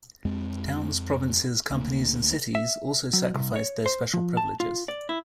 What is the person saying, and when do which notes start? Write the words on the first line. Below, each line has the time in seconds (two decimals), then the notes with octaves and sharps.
Towns, provinces, companies, and cities also sacrificed their special privileges.
0.25 F2 G#3 C4
1.71 D2 A#3
2.55 E5
3.13 F#3
3.34 C2
3.56 C#5
3.86 C5
4.14 F3
4.37 A5
4.60 F4
4.88 D5
5.09 E4